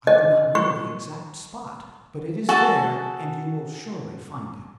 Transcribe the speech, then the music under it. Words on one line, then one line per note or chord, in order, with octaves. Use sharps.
I do not know the exact spot, but it is there, and you will surely find it.
D#5
C#6
F#4 G#4 A4 A5